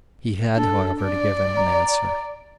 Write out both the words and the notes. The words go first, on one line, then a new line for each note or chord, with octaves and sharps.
He had, however, to give him an answer.
D4 A4
D5
A#5